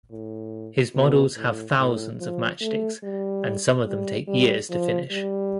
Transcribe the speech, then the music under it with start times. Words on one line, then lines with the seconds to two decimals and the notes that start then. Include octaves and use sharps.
His models have thousands of matchsticks and some of them take years to finish.
0.11 A2
0.94 B2
1.37 A2
1.78 A2
2.19 F3
2.61 A3
3.03 G3
3.87 G3
4.28 G3
4.70 F3
5.11 G3